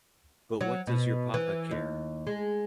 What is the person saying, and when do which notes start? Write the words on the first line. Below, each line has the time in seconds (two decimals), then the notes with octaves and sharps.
But what does your papa care!
0.61 F#3
0.87 B2
1.34 E3
1.71 D#2
2.27 G#3